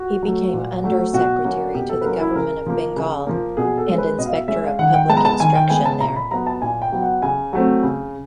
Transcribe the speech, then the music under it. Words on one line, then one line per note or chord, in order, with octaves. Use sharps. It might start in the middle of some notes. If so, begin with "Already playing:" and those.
He became under-secretary to the government of Bengal, and inspector of public instruction there.
Already playing: F#4
F#3 A3
A#2
F#3 A3
B2 F#4
F#3 A#3 C#4
B2 G4
A4
B4
F#3 A#3 C#4 A#4
E4
C#3 A#4
F3 A#3
C#3
F3 A#3
B2 G#4
A4
G#3
C#4
B4
B2 D#5
F5
E5
G#3 C#4 E5
F5
D#3 F#5
G5
G#3 B3 A5
A#5
A5
D#3 G#5
G5
G#3 B3 G#5
A5
A#2 A#5
B5
F#3 B3 A#5
A5
A#2 G#5
G5
F#3 B3
F#5
C#3 G#5
F#3 A3 C4
C#3